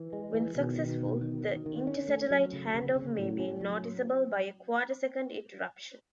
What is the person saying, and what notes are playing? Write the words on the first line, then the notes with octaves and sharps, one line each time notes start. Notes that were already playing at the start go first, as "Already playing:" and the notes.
When successful, the inter-satellite handoff may be noticeable by a quarter-second interruption.
Already playing: E3
G#3
E3
B2 D#3
D#3
D#3
D#3
D#3
D#3
C#4
A3
F#3
C#3
C#3
C#3
A2 F#3
C#4
F#3